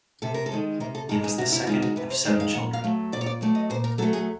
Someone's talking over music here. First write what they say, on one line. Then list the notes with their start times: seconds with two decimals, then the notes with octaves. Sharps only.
He was the second of seven children.
0.22 C3 A4
0.34 A#4
0.46 A4
0.52 D#3 G#3
0.80 C3 A#4
0.95 A4
1.09 D#3 G#3 A4
1.24 G#4
1.38 C3 F#4
1.52 E4
1.62 F#4
1.67 D#3 G#3 F4
1.82 F#4
1.96 C3 B4
2.10 C5
2.25 D#3 G#3 C5
2.40 F5
2.54 A#2 F#5
2.73 F5
2.84 F#3 A3
3.12 A#2 D5
3.21 C#5
3.26 D5
3.41 F#3 A3 D5
3.55 D#5
3.70 A#2 C5
3.84 A#4
3.98 F#3 A4
4.02 A3
4.13 G#4